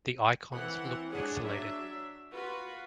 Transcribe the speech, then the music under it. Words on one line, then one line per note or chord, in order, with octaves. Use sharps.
The icons look pixelated.
E3 C4 F#5
G#3 D4 G#4 C#5 F#5
F#3 D4 E5
F4 F#4 B4